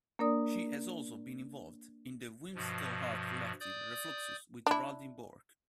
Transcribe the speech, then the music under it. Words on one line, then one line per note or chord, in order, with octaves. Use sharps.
She has also been involved in the whimsical art collective Refluxus with Geraldine Burke.
A#3 D4 A#4 D5 D#6
G2 B2 F3
D5 D#6 G6
D4 E4